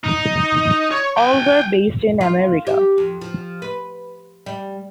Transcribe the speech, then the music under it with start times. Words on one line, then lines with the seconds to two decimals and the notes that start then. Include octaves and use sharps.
All were based in America.
0.04 D#4
0.91 C#5
1.17 G5 G#5
2.21 F4
2.67 G4
2.98 F2
3.21 F3
3.62 B4
4.46 G3